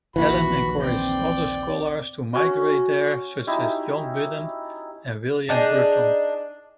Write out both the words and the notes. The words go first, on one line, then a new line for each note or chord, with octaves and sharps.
Allen encouraged other scholars to migrate there, such as John Budden and William Burton.
A#1 D#2 E3 F#4 B5
C4 D5 G5
C#4 F#4
D#4 E4 G4
D4 D#4 G#4